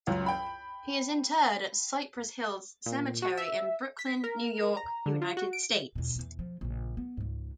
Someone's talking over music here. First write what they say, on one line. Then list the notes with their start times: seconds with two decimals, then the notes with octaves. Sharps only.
He is interred at Cypress Hills Cemetery in Brooklyn, New York, United States.
0.07 C#2 F#2
0.26 G5 B5
2.86 A#2
3.22 F#4
3.37 E5
3.99 B6
4.24 A#4
4.77 A#5
5.06 D3
5.22 F4
5.37 F#4
5.53 D7
5.95 E2 B2
6.16 E2 E3
6.39 F3
6.61 A#1 C#3
6.97 B3
7.17 C#2 G#2